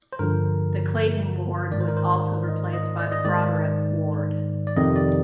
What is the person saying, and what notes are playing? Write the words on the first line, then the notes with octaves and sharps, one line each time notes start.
The Clayton Ward was also replaced by the Broderip Ward.
C5
G2 D3 F3 A#4
G#2 D#3 D5
C5
A#4
C5
D#5
D#5
D5
D#5
G#2 D#3 D5
D5
F2 C3 D#3 D#5
D5